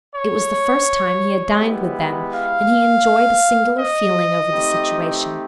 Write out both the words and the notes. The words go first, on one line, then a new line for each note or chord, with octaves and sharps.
It was the first time he had dined with them; and he enjoyed a singular feeling over the situation.
C#5
G#3 B3 E4 G4
F5
D#5
A3 C4 D#4 G4